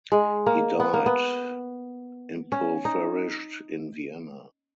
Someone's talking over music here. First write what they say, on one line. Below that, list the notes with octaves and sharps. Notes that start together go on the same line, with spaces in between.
He died impoverished in Vienna.
G#3
A#3
B3
A#3
B3
C#4
D#4